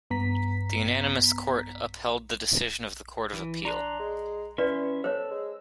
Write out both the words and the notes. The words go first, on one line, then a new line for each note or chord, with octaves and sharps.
The unanimous Court upheld the decision of the Court of Appeal.
G2 B3 A#5 B6
E3
D4 A#5 C6 F#6
G#3
E3 C#4 B4 D5 E5 C6
A4 C5 C#5 E6
G#3